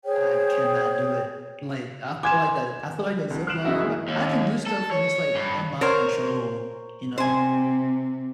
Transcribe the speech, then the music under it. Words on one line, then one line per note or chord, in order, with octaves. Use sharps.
I cannot do it, like, I feel like the I feel like the zipline, like I can do stuff when it's, like, in my control, you know?
G#4 C5 C#5 G5
G#5 C6 D6 G#6 E7
C2 G3
F6 F#6 C7 D7 E7 F#7
F#2 C#3 D#4 E4 F#4
E3 G#3 A#3
D#2
A4
C#5
G2
A#4 C5 C#5
C3 C5 G#5